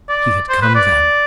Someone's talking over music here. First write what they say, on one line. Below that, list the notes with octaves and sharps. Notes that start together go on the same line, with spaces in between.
He had come then.
D5
C5
B4
D5